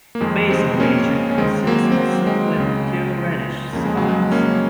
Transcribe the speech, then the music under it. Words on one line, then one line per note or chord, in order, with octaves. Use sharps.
Basal region consists with two reddish spots.
A#3
F2 D#3 G#3
G#3 C4
A#3 C#4
C#4
D#2 D#3 G#3 C4
F#3 A#3
C4
F#3 A#3
G#3
C#2 C#3
F2 C#3 A#3
G#3
F#3
G#3
A#3 C#4